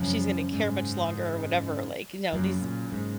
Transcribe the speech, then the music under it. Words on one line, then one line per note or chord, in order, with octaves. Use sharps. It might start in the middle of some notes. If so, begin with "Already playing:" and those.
She's gonna care much longer or whatever, like, you know, these
Already playing: F#2 C#3 F3 G#3
G#2
F#2 C#3 F#3 A#3
A#2
G#2